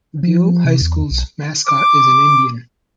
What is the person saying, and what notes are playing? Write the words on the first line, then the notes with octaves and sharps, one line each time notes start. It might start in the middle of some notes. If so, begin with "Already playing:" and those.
Buhl High School's mascot is an Indian.
F3
C3
E2
B1
D6